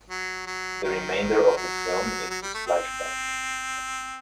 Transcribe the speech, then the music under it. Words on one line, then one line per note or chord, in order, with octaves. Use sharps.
The remainder of the film is his flashback.
F#3
F#3
D#3
F#3
F#3
G3
A3
C4